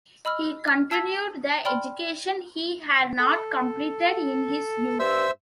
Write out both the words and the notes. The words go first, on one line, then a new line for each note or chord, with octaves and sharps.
He continued the education he had not completed in his youth.
D#5 B5 E6 F6
F6
A5 E6 G#6 B6
D5 G5 B5 C6 F6
A4
G2 C5 E5 E6